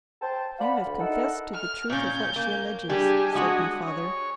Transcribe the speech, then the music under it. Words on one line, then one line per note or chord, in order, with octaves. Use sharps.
"You have confessed to the truth of what she alleges," said my father.
C5 G5 A5
D5 F5 F#5 B5
D2
D#4 E4 A4 A#4 F#5
F6
A#2 C#4 G6
A#3
G3 D4 G4 G#4 G#5
G#3 F#4 D#6
C#5